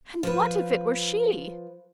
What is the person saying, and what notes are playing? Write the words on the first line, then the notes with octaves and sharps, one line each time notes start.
And what if it were she!
F3 B4